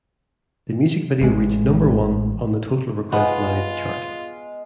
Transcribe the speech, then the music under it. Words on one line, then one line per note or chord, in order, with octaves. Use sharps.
The music video reached number one on the "Total Request Live" chart.
A1 G#3
G#3 B3 F4